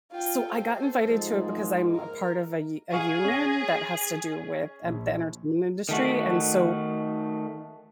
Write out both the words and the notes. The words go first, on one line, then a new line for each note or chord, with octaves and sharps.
So I got invited to it because I'm a part of a u a union that has to do with e the entertainment industry and so
F4 G5
A4 C5
G#2 F3 G#3
A#3
A#4
G#4 F5 C#6
C#4 A#6
A#1
D#3 A3 F#4